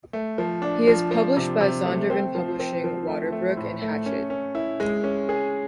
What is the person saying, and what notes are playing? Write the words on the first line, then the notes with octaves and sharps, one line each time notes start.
He is published by Zondervan Publishing, WaterBrook, and Hachette.
A3
F3
D4
F3
F3
C3
C3
A3
C4
F3
C4
F3
A3
A3
A2
A3
C#4
C#4
E4
G#3
C#4
G#4